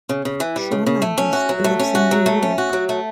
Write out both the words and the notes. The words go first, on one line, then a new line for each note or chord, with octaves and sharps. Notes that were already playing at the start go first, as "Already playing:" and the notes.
Sean Landers lives in New York.
C#3
C#3
E3
G3
C#3
C#3
A3
C#4
F#4
F#3
A3
C#4
F#4
F#3
A3
C#4
F#4
F#3
A3